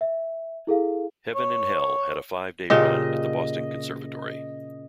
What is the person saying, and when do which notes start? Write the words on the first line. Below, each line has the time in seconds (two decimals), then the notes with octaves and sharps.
"Heaven and Hell" had a five-day run at the Boston Conservatory.
0.01 E5
0.67 E4 G#4 A4 F5
1.35 C#5
2.70 A#2 C#3 G4 D#5